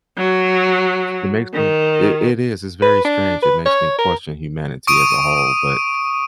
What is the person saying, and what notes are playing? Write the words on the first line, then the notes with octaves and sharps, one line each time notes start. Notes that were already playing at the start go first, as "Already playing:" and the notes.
it makes me It it is, it's very strange, it makes me question humanity as a whole, but
F#3
D#3
B4
D4
B4
C#5
A#4
C#6 D#6 D7 D#7